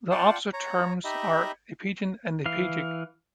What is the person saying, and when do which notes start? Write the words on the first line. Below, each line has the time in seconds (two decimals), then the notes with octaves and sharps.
The opposite terms are epigean and epigeic.
0.11 F4 D5 F#5 G5 A5 C6
0.53 C#5 A#5
1.04 D#4 G4 D#5 E5 B5
2.46 E3 F5